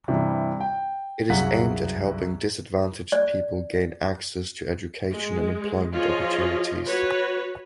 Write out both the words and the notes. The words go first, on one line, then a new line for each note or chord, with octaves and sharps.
It is aimed at helping disadvantaged people gain access to education and employment opportunities.
G2 C3 E3
G5
C2 F#2 G#4 F5 F#5 B6
D5
G#3
F3 F4 G#4 C#5 D#5
F#4 B4 C#5